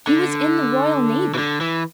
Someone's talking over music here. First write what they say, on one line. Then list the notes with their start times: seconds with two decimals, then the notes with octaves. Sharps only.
"He was in the Royal Navy!"
0.07 D3
1.34 E3
1.38 D3
1.61 E3